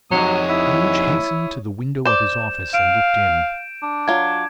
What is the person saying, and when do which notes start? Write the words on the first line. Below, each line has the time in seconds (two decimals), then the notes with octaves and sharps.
Scrooge hastened to the window of his office, and looked in.
0.11 F2 F#3 D#4 C#5 D#6
0.49 E4
2.05 C5 D5 G6 E7
2.74 F5 D7
3.83 D4
4.08 F#3 F4 G#6